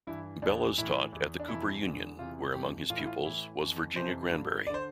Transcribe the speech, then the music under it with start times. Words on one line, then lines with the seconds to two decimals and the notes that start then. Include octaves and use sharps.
Bellows taught at the Cooper Union, where among his pupils was Virginia Granbery.
0.07 G2 E3 E4
0.42 E2 D3 D4
0.78 A2 E3 E4
1.12 E2 E3
1.40 D4
1.48 F2 C3 E3 E4
1.84 E2 D3
2.18 E2 C3 E3 F4
2.54 F2 C3 E3 G4
2.90 A2 E3 F4
2.98 E4
3.06 F4
3.25 A2 E3 E4
3.60 F2 E3
3.96 F2 C3 E3 C5
4.31 G2 D3
4.67 D5
4.70 D3 C5